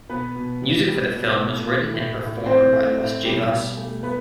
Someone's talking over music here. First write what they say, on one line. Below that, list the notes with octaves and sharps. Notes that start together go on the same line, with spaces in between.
Music for the film was written and performed by Los Jaivas.
B2 B3 B4
B2
G3
G3
B2
B2
A3
A2
A2
E3 C4 C5
A3
A2
B2 G3 G4
B2
A3
A3 B3 B4